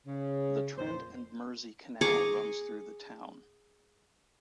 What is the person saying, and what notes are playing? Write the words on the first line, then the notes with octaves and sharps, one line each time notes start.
The Trent and Mersey Canal runs through the town.
C#3
F2 A#2 C5
G#4 A#5 C#6 D6